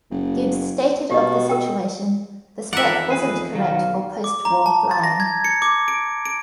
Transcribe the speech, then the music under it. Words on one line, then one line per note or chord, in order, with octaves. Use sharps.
Gibbs stated of the situation: the spec wasn't correct for post-war flying.
F#1
B2 G4 D#5
A#4 G5
F2 D#3 E3 A4 A#4 D5 E5 F#5
G#4 B4
B1 D#3 F#3 B4 F5
D6
A#5
A5
A6
A#6
G#6
C#7
D6
D7
D7